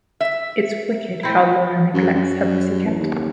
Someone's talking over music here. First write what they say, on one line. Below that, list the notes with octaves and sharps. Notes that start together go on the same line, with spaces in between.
It's wicked how Lara neglects her pussy cat.
E5
C4 E4
F#2
F#2
A1
D#2